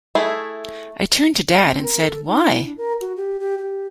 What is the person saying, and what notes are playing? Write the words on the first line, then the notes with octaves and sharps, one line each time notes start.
I turned to Dad and said why?
A3 E4 G#4
C4
A#4
A4
D#4
E4
D4
A#4
F#4
G4
G4
G4